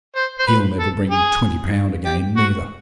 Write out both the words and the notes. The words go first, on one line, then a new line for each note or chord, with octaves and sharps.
He'll never bring twenty pound again, neither.'
C5
C5
B4
A4
G#4
G4
F#4